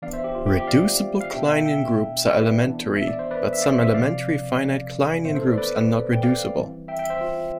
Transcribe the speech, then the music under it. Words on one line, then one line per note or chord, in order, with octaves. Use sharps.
Reducible Kleinian groups are elementary, but some elementary finite Kleinian groups are not reducible.
E3 B3 D4 D5 F5
C5 E5
G4
F4
G4
G4
D5 F5
F5
B2 B3 D4 E5 G5
F5
E5 G5
E5 G5
B4 D5
E3 B3 D4
E5
D5
C5
B4 D5
E5
D5 F5
C5 E5
C3 F3 C4 D5 F5
A2 E3 B3 D4 C5 E5
A4 C5
B4 D5
B4 D5
G5
D5 F5
E3 G3 C4
E5 G5
E5 G5
C5 E5
F4